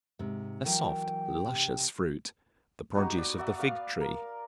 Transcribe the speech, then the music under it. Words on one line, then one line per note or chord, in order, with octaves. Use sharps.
A soft, luscious fruit, the produce of the fig-tree.
G#2 C3
E3 F#3 A#4 G5
C3
B3 D#4 F#4 G4
D5
F#4 D5 E5 F#5
B4 F5
A#4